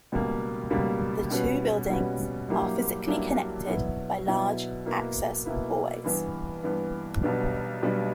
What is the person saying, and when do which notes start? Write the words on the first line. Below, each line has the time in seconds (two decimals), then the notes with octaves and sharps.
The two buildings are physically connected by large access hallways.
0.12 C#2 B2 G3 A#3
0.70 C#2 B2 G3 A#3
1.30 B2 G3 C#4 F#4 B4
1.90 B2 G3 C#4 F#4 B4
2.48 G2 F#3 A#3 E4 G4
3.08 G2 F#3 A#3 E4 G4
3.67 B2 F#3 B3 E4
4.26 B2 F#3 B3 E4
4.86 B2 A#3 E4 B4
5.45 B2 A#3 E4 B4
6.04 G2 E3 B3
6.64 G2 E3 B3
7.23 B1 B2 G3 B3 D4
7.82 B1 B2 G3 B3 D4